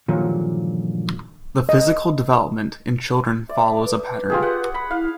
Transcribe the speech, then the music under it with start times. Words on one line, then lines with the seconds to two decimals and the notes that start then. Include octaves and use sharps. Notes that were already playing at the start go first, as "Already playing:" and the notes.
The physical development in children follows a pattern.
0.08 G2 A#2 D3 D#3 F3 F#3
1.69 D#5
3.49 D5 E5
3.85 B4
4.30 F4 G4 G#4
4.42 F#5
4.74 B5
4.91 E4 F5